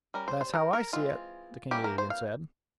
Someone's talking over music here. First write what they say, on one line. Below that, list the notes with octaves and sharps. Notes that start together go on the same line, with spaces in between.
"That's how I see it," the Canadian said.
G3 C#4 A#4
C5
C5
A#4
A#4
E3 G#3 C4 F4
E3 G3 A#3 C#4 G4
A#4
C5
F5